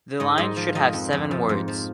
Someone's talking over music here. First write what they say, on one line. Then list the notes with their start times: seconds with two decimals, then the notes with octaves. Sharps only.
The line should have seven words.
0.20 G#2 D#5
0.38 G#2 D#5
0.57 F3
0.75 F3 D#5
0.93 F2
1.13 F2
1.31 F3
1.49 G#2
1.68 F3